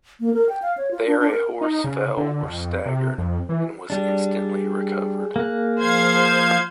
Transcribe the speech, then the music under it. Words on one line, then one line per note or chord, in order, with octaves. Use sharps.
There a horse fell or staggered, and was instantly recovered.
A#3
A#4
G5
F5
C#5
F4
D4
D4
A#4
D#4
C#3
D3
F2
C3
F2
E3
G3 D4 G#4
A#3 F#6
F3 C5 F5 G#6